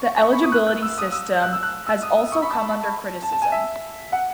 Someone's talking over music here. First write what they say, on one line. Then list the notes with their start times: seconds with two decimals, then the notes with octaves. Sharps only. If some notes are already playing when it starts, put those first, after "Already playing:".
The eligibility system has also come under criticism.
Already playing: C#6
0.22 C#6
0.32 B5
0.42 D#6
0.52 F#6
0.67 F#6
0.82 E6
0.98 D#6
1.12 E6
1.42 F#6
1.53 E6
1.63 F#6
1.87 E6
2.02 D#6
2.32 C#6
2.42 B5
2.52 A5
3.22 A5
3.32 A5
3.42 G#5
3.52 E5
4.12 F#5